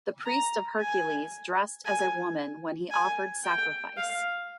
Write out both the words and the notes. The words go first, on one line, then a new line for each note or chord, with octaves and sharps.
The priest of Hercules dressed as a woman when he offered sacrifice.
A#5
G#5
G#5
G#5
G5
F5